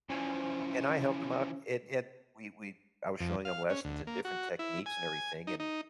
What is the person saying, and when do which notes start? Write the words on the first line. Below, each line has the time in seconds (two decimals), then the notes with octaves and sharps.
and I helped him out. It it we we I was showing him lessons and different techniques and everything, and
0.10 E3 F3 C#4 C5 G#5
3.20 F2
3.45 F5
3.70 C#4
3.85 D2
4.07 A#3
4.25 F#4
4.59 E4
4.86 G#5
5.47 D#4
5.60 D#4